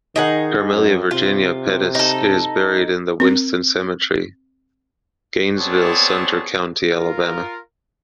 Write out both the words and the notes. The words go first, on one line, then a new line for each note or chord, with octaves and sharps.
Permelia Virginia Pettus is buried in the Winston Cemetery, Gainesville Sumter County Alabama.
D#3 D#4 G#4 F#5
F#2
C3 F4
D#4 A4
C4 A#4
B3 C4 G#4 C#5 D5 A5
F4 A#4